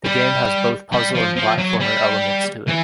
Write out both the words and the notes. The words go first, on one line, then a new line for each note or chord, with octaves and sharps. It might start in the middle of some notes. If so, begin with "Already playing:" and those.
The game has both puzzle and platformer elements to it.
G3
G3
F3
F3
F#3
G3
E3